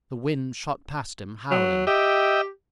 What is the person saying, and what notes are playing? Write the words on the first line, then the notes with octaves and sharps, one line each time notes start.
The wind shot past him howling.
F#3
G4 D#5 E5 G5